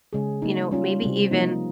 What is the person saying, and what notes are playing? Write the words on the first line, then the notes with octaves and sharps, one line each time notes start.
you know, maybe even
C#3 G#3 C#4 G#4
G3 A#3 D#4
G3 C#4 F4
C3 G3 C4
F3 A#3 D#4